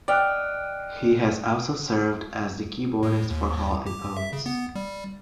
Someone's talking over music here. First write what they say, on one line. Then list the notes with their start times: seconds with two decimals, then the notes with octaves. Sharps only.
He has also served as the keyboardist for Hall and Oates.
0.08 D5 D#5 F#5 G5 F6
3.03 A2
3.30 D#2
3.86 G4
4.17 E5
4.33 C#3
4.46 B3
4.75 G3